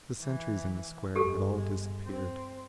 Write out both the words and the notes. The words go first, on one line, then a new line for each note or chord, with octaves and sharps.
The sentries in the Square had all disappeared.
E3
G1 G#3 G4 A4
C4